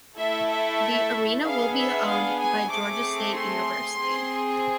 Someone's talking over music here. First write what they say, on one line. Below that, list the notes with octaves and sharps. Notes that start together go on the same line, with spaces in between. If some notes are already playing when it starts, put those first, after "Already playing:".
The arena will be owned by Georgia State University.
A3 E4 A4 E5
E5
B3 D4 G#4 F5
E5
F5
G#5
A3 C4 G#4 D6
C6
C4 G#4